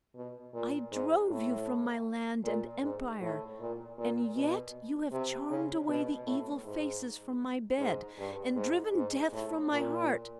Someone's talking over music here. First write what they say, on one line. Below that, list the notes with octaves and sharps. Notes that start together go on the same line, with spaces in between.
I drove you from my land and empire, and yet you have charmed away the evil faces from my bed, and driven Death from my heart!
B2
A#2
G#2
A2
A#2
G#2
A2
A#2
A#2
B2
C3
C#3
B2
A2
G#2
G#2
G2
G#2
G#2
A2
A#2